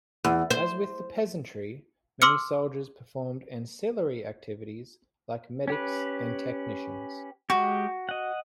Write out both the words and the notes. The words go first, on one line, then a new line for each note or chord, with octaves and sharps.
As with the peasantry, many soldiers performed ancillary activities, like medics and technicians.
E2
C5
C6 D6 E6 F6 C#7
C#4 G4 B4
G#3 F#4 G4
D#5 F#5